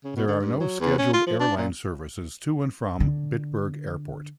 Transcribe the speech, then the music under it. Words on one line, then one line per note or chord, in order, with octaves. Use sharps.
There are no scheduled airline services to and from Bitburg Airport.
C#3
B2
D3
G2
F#3
E2
C#4
F4
F3
D4
A#2
D3